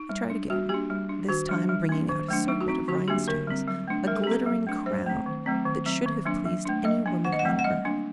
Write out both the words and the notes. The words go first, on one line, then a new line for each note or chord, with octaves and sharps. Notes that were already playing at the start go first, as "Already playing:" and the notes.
He tried again, this time bringing out a circlet of rhinestones, a glittering crown that should have pleased any woman on earth.
Already playing: D#4
G3
D4
G3 F#4
A#3 D4 G4
G3
D4
D#3 F#4
G3 D4
G3
A#3 D4
D#3
F#3 A3 D4
F#3 D#4
F#4
C4 D#4
D3 F#4
F#3 A#3 D4 G4
D3 A#4
G3 C4
F#3
A3 D4
G3 A#4
A4
G4
C4 A4
F#3
A3 D4
F#3 C5
A3 C4
D#3
F#3 A3 C4
D#3
F#3 C4
D#3
F#3 A#3 D4
F#3
A3 D4
F#3 D#5
A#3 D4
D#3 F#5
D#5
F#5
F#3 A3 C4
F#5
G3 D#5
A#3 D4